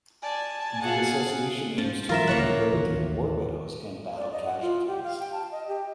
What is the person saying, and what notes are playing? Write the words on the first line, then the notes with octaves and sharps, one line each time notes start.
The association aims to rehabilitate war widows and battle casualties.
D5 G#5 A5
G#4 F5 F#5
F3 C#4
E3 F#3 F4 A#4 E5
D2 C#3 F3 A#3 C#5 F#5
A1 D#2 D#3
D5
D#5
F#5
F4
G4
F5
G5
A5
D#5
G4